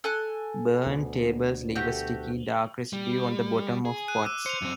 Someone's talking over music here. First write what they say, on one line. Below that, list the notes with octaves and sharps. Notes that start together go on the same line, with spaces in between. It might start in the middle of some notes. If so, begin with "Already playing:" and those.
Burned tablets leave a sticky dark residue on the bottom of pots.
A4 G#5 F#6
D2 B2
A3 F#4 G4
G3
G#4
F#6 D#7
D6 E6 D#7
C5 C#7 F7
F#2 C4